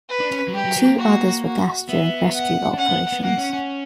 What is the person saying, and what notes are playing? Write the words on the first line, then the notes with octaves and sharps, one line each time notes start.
Two others were gassed during rescue operations.
B4
D4
C#4
F#3
G3 G4
F#3
F#3
A#3
F#4
F#4
B3 E5
F#5
D4
C#4 F#5
B3
B3
A#3 F#5
C#4
C#4